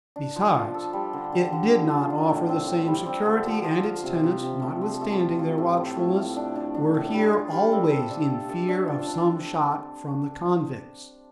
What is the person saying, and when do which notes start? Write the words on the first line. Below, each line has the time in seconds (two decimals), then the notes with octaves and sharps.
Besides, it did not offer the same security, and its tenants, notwithstanding their watchfulness, were here always in fear of some shot from the convicts.
0.16 D4
0.36 F3
0.55 F4
0.74 A4
0.93 G3
1.13 D3
1.32 D3
1.52 D3
1.71 F3
1.91 F4
2.10 D4
2.29 A2
2.49 C4
2.68 C4
2.88 G3
3.06 C4
3.26 D3
3.46 F3
3.64 F3
3.84 F4
4.04 C3
4.24 C3
4.43 C3
4.62 A3
4.81 F3
5.01 A3
5.20 F4
5.39 F4
5.58 A2
5.77 A3
5.97 A2
6.17 A3
6.37 D4
6.56 D4
6.74 D4
6.94 A2
7.14 G3
7.33 F4
7.52 G3
7.72 C4
7.90 A4
8.10 D4
8.30 A4
8.49 A4
8.69 D4
8.88 F4
9.07 D4